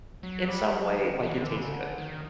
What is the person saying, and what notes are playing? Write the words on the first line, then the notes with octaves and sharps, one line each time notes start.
in some way, like, it tastes good.
F#3
G3
F#3
D#3
E3
D3
C#3
D3
D#3